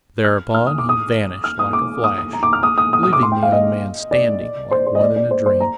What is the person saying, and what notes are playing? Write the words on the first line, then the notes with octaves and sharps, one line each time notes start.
Thereupon he vanished like a flash, leaving the young man standing like one in a dream.
F6
F6
D#6
D6
D#6
F6
D#6
D6
D#6
D#6
A#5
D6
F6
D#6
D#6
D#6
D#6
D6
C6
G5
F5
D#5
D5
C5
C5
D#5
D5
D5
C5
C5
A#5